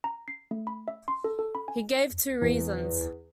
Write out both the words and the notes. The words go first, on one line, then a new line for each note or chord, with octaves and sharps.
He gave two reasons.
A#5
C7
A3
B5
E5
C6
A4
A4
B5
G#5
E2